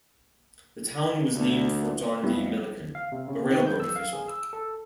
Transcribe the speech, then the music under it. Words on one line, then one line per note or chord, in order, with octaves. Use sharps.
The town was named for John D. Milliken, a railroad official.
D2
F2 G3 B3 E4
F5
C3
C#3
D#3
G6
E6
F5
G#4
E6
A4